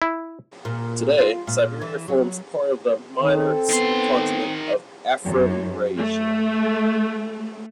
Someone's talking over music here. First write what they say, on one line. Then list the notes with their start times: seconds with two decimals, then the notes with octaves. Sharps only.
Today, Siberia forms part of the minor supercontinent of Afro-Eurasia.
0.02 E4
0.65 A#2
1.18 F4
1.47 A#2
1.81 E3
2.08 F#3
3.20 D#3 C4 A4
3.69 D#3 B3 C6
5.25 F#2
5.98 A3